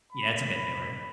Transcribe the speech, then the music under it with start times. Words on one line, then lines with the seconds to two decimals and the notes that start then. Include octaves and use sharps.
Yeah, it's a bit newer.
0.12 B5